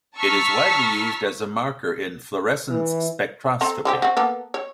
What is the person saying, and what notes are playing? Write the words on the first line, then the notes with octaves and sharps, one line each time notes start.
It is widely used as a marker in fluorescence spectroscopy.
A5 A#5 C#6 E6 F6 B6
E3
C4 A4 A#5
D3 C4 G4
C4 F#4
A#3 B3 A4
C#5